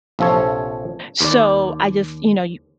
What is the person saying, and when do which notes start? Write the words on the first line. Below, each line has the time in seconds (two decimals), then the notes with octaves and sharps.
So I just, you know, y
0.19 A#1 C3 F3 A4 C#5
1.21 D#2 D5